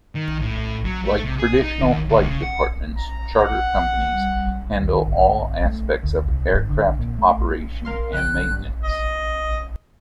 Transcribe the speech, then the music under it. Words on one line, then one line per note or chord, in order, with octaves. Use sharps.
Like traditional flight departments, charter companies handle all aspects of aircraft operation and maintenance.
D#3
A2
F#3
A3
C3
G#4
D#4
D#2
D2
C#3
F#5
A#5
F#5
G3
D#2
D#3
G1
A3
D2
C2
G#1
D3
A#2
A3
A#4 F5 C6
C#3 G5 F#6
D3
G2
D#5